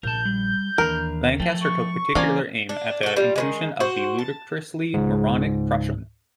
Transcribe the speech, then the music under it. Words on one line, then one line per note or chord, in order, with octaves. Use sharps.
Lancaster took particular aim at the inclusion of the "ludicrously moronic" "Crush 'Em".
A#1 A#4 A5 G6
G3
D#2 E3 D4 A#4
F3 A3 A4 G5
C#6
E3 A#3 C#4 C5 D5 G#5
D4
F#4 A4
G3 F4
D#3 F3 G#3
F#4 C5
A5
C#2 G#2